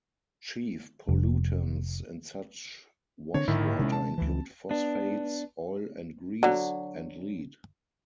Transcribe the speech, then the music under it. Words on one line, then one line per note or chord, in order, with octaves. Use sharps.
Chief pollutants in such wash-water include phosphates; oil and grease; and lead.
F1
D3 C4 D4 C#5
A#1 G#2 D3 D#3 E4
C3 G#3 C#4
A5
C#2 E3
B3 D4
D3 F#3